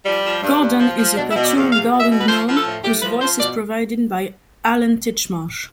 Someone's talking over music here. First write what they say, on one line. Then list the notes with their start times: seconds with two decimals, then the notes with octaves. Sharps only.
Gordon is a cartoon garden gnome, whose voice is provided by Alan Titchmarsh.
0.06 F3 G3
0.25 F3
0.43 G2
0.61 G2
0.80 F3
0.98 F3
1.17 B2 D4
1.31 E4
1.35 B2
1.45 D5
1.55 E2 F5
1.73 E2 F5
1.92 B2
2.00 E5
2.10 B2
2.21 B4
2.28 F3 C5
2.47 F3 B4
2.57 A4
2.66 A2
2.84 A2 G4
3.02 F3 B4
3.21 F3 C5
3.39 B2 D5